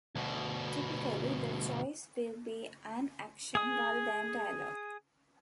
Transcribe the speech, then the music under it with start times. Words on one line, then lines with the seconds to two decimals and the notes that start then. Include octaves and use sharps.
Typically, the choice will be an action rather than dialogue.
0.16 D2 B2
3.55 G#4 D#6